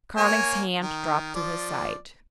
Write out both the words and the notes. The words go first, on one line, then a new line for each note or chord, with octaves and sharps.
Carling's hand dropped to his side.
A#3 C#5 G#5
D#3
F3 D5